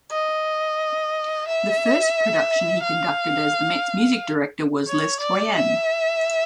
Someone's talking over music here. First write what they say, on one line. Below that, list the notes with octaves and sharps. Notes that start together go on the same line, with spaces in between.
The first production he conducted as the Met's music director was "Les Troyens".
D#5
E5
F5
C#5
D5
E5